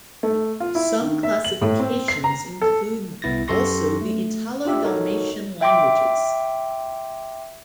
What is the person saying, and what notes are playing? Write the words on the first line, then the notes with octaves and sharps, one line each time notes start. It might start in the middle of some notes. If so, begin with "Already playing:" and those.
Some classifications include also the Italo-Dalmatian languages.
A3
F4
E4
D#3
E5
F#7
A2
C4
C7
A#5
A4
C2 B3 E4 A6 A#6
F#2 G4 A4 C6 C#6 A#6
A3
D4 F4 G4 E5
D#4 F#4 A4 A#4 C#5
E5 G5 C6 D6